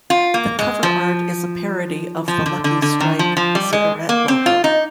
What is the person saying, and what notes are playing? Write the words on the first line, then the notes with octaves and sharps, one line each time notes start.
The cover art is a parody of the Lucky Strike cigarette logo.
F4
A#3
G#3
F3
F3
D3
D3
D3
D#3
F3
F3
G3
G#3
A#3
C4
F4
D#4